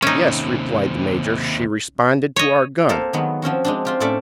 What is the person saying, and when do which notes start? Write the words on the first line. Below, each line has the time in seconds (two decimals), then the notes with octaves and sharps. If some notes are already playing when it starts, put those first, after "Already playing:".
"Yes," replied the major; "she responded to our gun."
0.02 D#2 C3 C#4 D#4
2.36 C#5 D#5
2.89 A#3 C4 A4 A#4 C5
3.13 D#3 F#3 G#3 B3
3.42 F3 C4 C#4 F#4
3.65 G#3 C4 D4
3.85 C4 F4 G4
4.00 A2 C4 C#4 A4 D5 E5